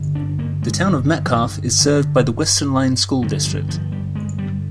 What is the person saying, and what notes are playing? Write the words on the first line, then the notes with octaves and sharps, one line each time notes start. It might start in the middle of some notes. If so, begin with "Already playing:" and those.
The Town of Metcalfe is served by the Western Line School District.
Already playing: G2 D3
D4
A#3
G#3
D#3
D#3
F3
D#3
D3
G2 D3 D#3
F3
F3
G3
G#3
G3